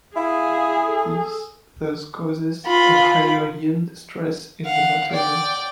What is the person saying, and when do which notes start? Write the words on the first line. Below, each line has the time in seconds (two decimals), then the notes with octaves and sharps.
This thus causes a higher yield stress in the material.
0.16 E4 G#4 F5
0.85 A4
2.66 F4 B5
4.65 F5 F#5
5.11 D5 G5